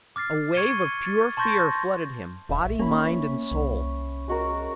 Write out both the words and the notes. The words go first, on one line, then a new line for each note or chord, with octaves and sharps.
A wave of pure fear flooded him, body, mind, and soul.
D6 F6 A6 C7
C#6 G#6 C#7 D#7 G7
A6
A5 C6 C#6 G6 A6 A#6
D#1 E5
A#1
A#3 C#4 B5
C2
G#3 F#4 A#4